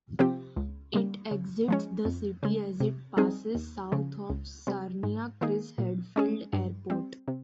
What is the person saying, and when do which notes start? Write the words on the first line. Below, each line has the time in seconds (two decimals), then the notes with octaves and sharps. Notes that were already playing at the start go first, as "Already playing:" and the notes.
It exits the city as it passes south of Sarnia Chris Hadfield Airport.
0.19 C3 F3 C4 G4
0.56 C#2
0.94 C#3 G3 A#3
1.31 C#3
1.68 F3 G#3 C#4
2.05 F2
2.43 C#3 G#3
2.80 C3
3.17 G3 C4 D#4 G#4
3.55 D#2
3.92 C#3 F3
4.30 C#2
4.67 C3 G3
5.03 G#2
5.41 D#3 A#3 D#4 G#4
5.78 A#2
6.16 G#3 C#4 G#4
6.53 G2
6.90 G3 C4
7.28 C3